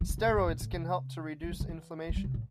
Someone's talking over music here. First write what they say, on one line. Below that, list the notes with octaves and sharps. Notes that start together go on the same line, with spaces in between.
Steroids can help to reduce inflammation.
E3
D3
C3
A2
G2
A2
A2
C3
G3
E3
D3
E3
A3
G3
C3
A2